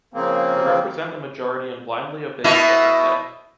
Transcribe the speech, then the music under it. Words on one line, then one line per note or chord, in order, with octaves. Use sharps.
They represent the majority and blindly obeys what they say.
C#3 F3 A#3 C4
B2 E4